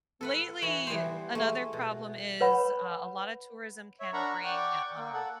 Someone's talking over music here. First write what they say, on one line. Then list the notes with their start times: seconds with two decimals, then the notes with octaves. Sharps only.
Lately, another problem is, uh, a lot of tourism can bring, um
0.21 A4 B4 F#5
0.62 E3 F#4 B5
0.87 E3 G3 B3 C5
1.35 G#3 A3
1.73 B2
2.41 B4 C#5 F#5 B5
4.00 C#5 E5
4.13 D4 A#4 F#5 A#5 B5 C#6
4.45 D5 F#5 G5 C#6 D6
4.97 A#3
5.14 A4 F#5